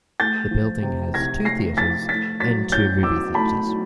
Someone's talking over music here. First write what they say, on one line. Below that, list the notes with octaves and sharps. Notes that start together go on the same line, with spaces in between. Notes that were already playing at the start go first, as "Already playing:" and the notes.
The building has two theaters and two movie theaters.
A3 G6 A6
F3
C3
C3 G#6 A#6
A3 A#6 C7
F3 A6 B6
A3 A6 B6
F#3 A6 B6
C#4 G6 A6
B2 D6 E6
A3 A5 B5
F#3